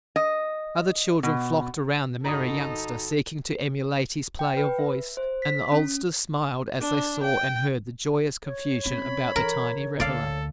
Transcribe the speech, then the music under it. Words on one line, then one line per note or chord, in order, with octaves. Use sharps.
Other children flocked around the merry youngster, seeking to emulate his play of voice and the oldsters smiled as they saw and heard the joyous confusion about the tiny reveler.
D#5
B2
G1 D#4 F#4 A4 A#5 B5 D#6
G5
B4
E5
C5
B6
C#4
D4
G5
C#5
C4 C#4 B5
E3 A#4
D2 A#3 A4 D5 F5